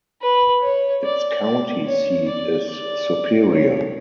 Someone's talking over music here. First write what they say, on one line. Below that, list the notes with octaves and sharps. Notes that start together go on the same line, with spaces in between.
Its county seat is Superior.
B4
C#5
D5
D5
C#5
D5
D5
C#5